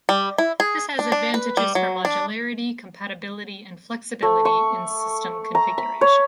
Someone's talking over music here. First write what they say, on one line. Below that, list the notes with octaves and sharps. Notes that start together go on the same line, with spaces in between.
This has advantages for modularity, compatibility, and flexibility in system configuration.
G3
E4
G#4
D4
D4
B4
G3
F#3
D4
A3
C#6
A#5
B5
C#5